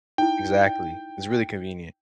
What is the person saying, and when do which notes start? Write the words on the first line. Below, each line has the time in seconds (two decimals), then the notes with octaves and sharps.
Exactly. It's really convenient.
0.18 D#4 E4 G5